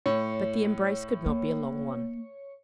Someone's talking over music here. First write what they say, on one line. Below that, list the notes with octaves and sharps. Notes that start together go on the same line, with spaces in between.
But the embrace could not be a long one.
A2 C#5
A#3